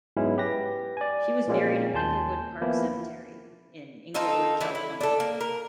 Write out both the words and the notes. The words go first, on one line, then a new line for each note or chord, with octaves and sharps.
She was buried in Inglewood Park Cemetery in Inglewood, California.
G#2 F#3 G#3 B3 C#4 E4
G4 B4 A#6
D5 G#5
A#2 F3 G#3 A#3 C4 C#4
D#2 G#5 A5 C6 G6
E3 F3 A#3 B3 E4
C4 D#4 F4 A4
E3 G3 A3 E4
E4
D4 A4
A#3
A#4